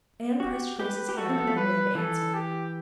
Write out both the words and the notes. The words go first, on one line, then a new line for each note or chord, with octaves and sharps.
Anne pressed Grace's hand by way of answer.
F#4 G4
G4 B4
G4
F#4 A4
C4
B3
A3
G3 B4
E3 A4
G4